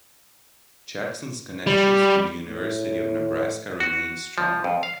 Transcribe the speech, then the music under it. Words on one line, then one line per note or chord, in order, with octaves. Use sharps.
Jackson's connections to the University of Nebraska remain strong.
G3
A2
F#4
F3
F2
F5